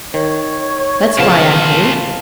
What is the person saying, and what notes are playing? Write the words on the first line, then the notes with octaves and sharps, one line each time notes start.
That's why I'm here.
D#3 C#5
A#2 C#3 F3 B3 F5 A5